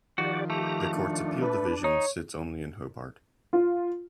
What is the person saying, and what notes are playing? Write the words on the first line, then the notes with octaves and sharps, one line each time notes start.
The Court's Appeal division sits only in Hobart.
D#3 F3 F#4 G4 D5
A3 G4 A#5
D4
B4
D#4 C#5
F4